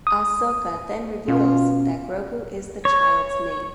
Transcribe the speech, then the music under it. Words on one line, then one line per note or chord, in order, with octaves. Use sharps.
Ahsoka then reveals that Grogu is the Child’s name.
D#6
B2 C#4 F4
C#5